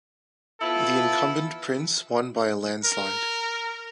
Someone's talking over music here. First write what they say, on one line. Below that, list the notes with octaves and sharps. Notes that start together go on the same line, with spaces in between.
The incumbent prince won by a landslide.
B3 E4 F4 A4
A#4